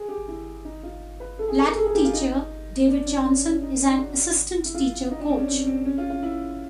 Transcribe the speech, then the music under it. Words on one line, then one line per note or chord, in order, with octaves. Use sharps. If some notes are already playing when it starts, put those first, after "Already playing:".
Latin teacher David Johnson is an assistant teacher coach.
Already playing: G#4
G4
E4
D#4
F4
B4
A4
G#4
A4
A#4
A4
G#4
G4
F4
D#4
D4
C#4
C#4
C#4
D#4
C#4
D4
D#4
F#4
E4
F4
D#4
D4
C4
C#4
C4
C4
C#4
F4
F4
E4